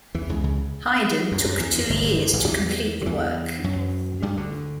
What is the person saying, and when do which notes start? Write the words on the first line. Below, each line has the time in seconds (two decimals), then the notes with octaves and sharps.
Haydn took two years to complete the work.
0.14 E2 E3
0.29 C#2 C#3
0.44 C#2 C#3
1.32 F#2
1.46 F#2
1.60 E2
1.75 F#2
1.90 G1 G2
2.04 G1 G2
2.18 F#2
2.33 A1 A2
2.48 E2 E3
3.01 D3
3.06 E2 E3
3.64 F#2 F#3
4.22 G2 G3
4.37 D2 D3